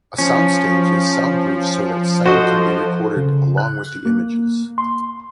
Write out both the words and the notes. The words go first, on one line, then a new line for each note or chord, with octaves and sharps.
A soundstage is sound-proofed so that sound can be recorded along with the images.
F3 C#4
F#4 A4 C5 D#5
C#3
F#6
A#3
C6